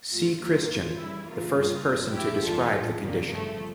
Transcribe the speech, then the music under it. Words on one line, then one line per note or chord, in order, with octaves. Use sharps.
C. Christian, the first person to describe the condition.
G2 F3 A3 F4
C#2 C#3 G3 A#3 F4
A1 G2 E3 F4
F2 C#3 E3 G3 E4
E2 C#3 E3 A#3 F4
G2 D3 G3 A#3
G1 F2 D3
G1 G2 F3 A3 E4 G4
E2 D3 A3 F4 A4
A#1 A2 G3
E2 C#3 G3 A#3
G1 G2 F3 A3